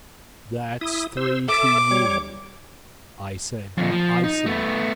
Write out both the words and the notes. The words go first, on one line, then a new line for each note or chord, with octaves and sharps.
"That's three to you," I said icily.
E4 D#6
C5 E6
A4 E5 D6
G3 C#5
F2 A#2
F3
D#4
A3 B3